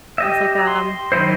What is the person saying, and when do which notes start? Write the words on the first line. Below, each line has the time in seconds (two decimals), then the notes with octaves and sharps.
I was like, um,
0.18 G4 D#5 E5
0.67 C6
1.12 D#3 F#3 D#4 E4 C5